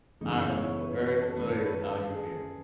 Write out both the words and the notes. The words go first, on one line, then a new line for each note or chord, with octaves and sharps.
I'm very familiar with how you feel.
F#2 C#3 E3 G#3 B3 D#4
E4
C#5
C#5
B4
C#5
B4
A4
F#2 D#3 A3 D#4 B4
C#5
A4
B4
A4
A4
G#4